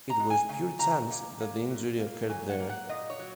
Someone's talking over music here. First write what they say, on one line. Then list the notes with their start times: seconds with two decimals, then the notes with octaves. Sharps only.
It was pure chance that the injury occurred there.
0.10 A#5
0.20 G#3
0.30 G#5
0.49 C#3 G#5
0.79 C#3 A#5
1.10 A#3
1.40 A#3
1.70 F#2
2.00 A#3
2.29 F#3 G#5
2.49 F#5
2.60 A#3
2.69 F#5
2.89 A#2 D#5
3.10 C#5
3.19 F#3